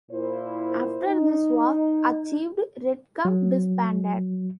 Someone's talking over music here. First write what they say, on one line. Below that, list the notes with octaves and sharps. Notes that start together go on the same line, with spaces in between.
After this was achieved Redgum disbanded.
A#2 E4 C5
D#4
F#3